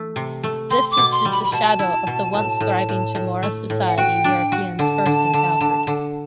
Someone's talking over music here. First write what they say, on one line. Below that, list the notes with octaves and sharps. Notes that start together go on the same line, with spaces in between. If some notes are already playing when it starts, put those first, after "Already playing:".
This was just a shadow of the once-thriving Chamorro society Europeans first encountered.
Already playing: E3 A3
C3
A3
C4 C6
D6
B2
C6
G3
B5
B5
B2 A5
E4
B2
A2
A2
A2
A2
A3
A2
F#5
F#4 G5
D4
F#4
D3 A5
D3
D3
D3
D3